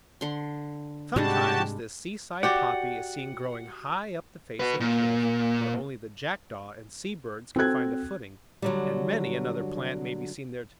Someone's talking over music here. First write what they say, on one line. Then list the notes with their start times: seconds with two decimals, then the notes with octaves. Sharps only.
Sometimes this seaside poppy is seen growing high up the face of the cliff, where only the jackdaw and sea-birds can find a footing; and many another plant may be seen there too.
0.21 D3 C6
1.16 G#2 C3 G3 G#3 D4 F#4 G4 A5
2.43 F#4 G4 D5 F#5
4.60 F#4 B4
4.80 A#2
7.56 C4 F#4 A4 F#6 G#6
8.62 D3 F#3 G3